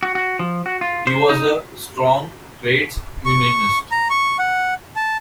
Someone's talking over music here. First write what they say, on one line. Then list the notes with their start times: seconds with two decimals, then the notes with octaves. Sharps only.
He was a strong trades unionist.
0.03 F#4
0.15 F#4
0.39 F3
0.66 F#4
0.81 F4
1.07 C5
1.29 D#4
3.26 C#6
3.92 A#5
4.10 C#6
4.39 F#5
4.96 A5